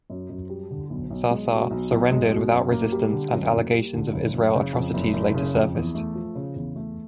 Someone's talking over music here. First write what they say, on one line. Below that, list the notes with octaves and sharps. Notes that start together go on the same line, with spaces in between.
Sa'sa' surrendered without resistance and allegations of Israeli atrocities later surfaced.
F#2
F#2
G3
D3
B1
B1
G#3
B2
B1
B1
G#3
B2
F#2
A#3
G3
D3
F#2
A#3
G3
D3
F#1
F#1
C#3
F2
F#1
F#1
C#3
F2
E2
A3
F3
C#3
E2
A3